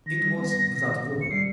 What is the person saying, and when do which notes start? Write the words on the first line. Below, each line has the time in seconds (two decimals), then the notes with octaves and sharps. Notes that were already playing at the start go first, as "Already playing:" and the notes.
It was that woman.
0.06 D#3 A#6
0.22 G3
0.38 B3
0.54 G2
0.68 C3
0.84 D#3
1.00 F#3
1.16 C2
1.21 C#7
1.31 G3 C7